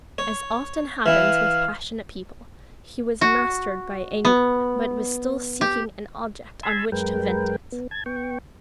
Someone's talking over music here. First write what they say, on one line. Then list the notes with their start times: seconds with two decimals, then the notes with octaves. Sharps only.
As often happens with passionate people, he was mastered by anger but was still seeking an object on which to vent it.
0.18 C#5
1.06 E3 E4 F5
3.21 F#4
4.25 B3
5.61 G4
6.63 G#5 A5 B5 C6 E6 G#6
6.92 F#2 G#3 A#4 B4 G5
7.72 B3
7.91 A5 G#6
8.06 B3 G5 C#6